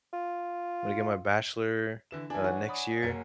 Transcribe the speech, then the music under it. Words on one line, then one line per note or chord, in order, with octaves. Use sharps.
I'm gonna get my bachelor, uh, next year
F4
D3 E3 E7
E3 D4 G#5
C#5 F#5
D5 B5 D#6
F#1 A#3 C#7